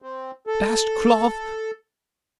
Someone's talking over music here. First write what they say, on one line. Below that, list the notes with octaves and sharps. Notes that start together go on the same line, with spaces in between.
Bast cloth.
C4
A4